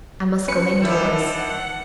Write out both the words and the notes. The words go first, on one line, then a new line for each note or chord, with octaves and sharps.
I must go in-doors.
C#4 B4 C#7
D#3 G3 D4 E4 F#5
F#5